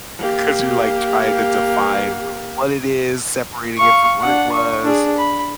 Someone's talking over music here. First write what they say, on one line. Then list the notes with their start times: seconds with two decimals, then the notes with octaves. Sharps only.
'Cause you're like trying to define what it is, separating it from what it was.
0.18 A#3 G4
3.77 F5 C#6
4.21 D4 F#5
4.52 C#6
4.83 D4 G#4
5.18 B5